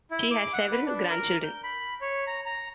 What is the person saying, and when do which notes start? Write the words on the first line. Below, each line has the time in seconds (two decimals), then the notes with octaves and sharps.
She has several grandchildren.
0.11 E4
0.31 D6
0.53 F#5
0.71 B4
0.85 D4
1.10 A#4
1.44 G6
1.64 B5
2.01 C#5
2.27 A#5
2.46 A#5